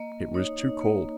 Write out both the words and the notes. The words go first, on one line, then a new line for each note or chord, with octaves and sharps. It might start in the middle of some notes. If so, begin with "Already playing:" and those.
It was too cold.
Already playing: A#3 D#5
A#3
D#4 C#5
D#4
A#3